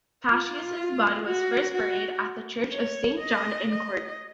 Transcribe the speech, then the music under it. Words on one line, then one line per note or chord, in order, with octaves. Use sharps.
Paschasius' body was first buried at the Church of Saint John in Corbie.
F4
F#4
F#4
C#5
D#5
D#5